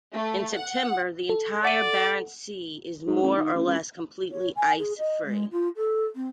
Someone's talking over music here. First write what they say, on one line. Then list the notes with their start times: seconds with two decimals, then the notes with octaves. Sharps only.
In September, the entire Barents Sea is more or less completely ice-free.
0.13 A3
0.55 F#5
1.29 A4
1.65 D5 F#5 D#7
3.07 G#2
3.22 A1
3.36 D#3
3.54 A1
3.67 C#2
4.31 C#5
4.56 G#5
4.79 G#4
4.99 D#5
5.26 G#3
5.52 F4
5.76 A4
6.15 C4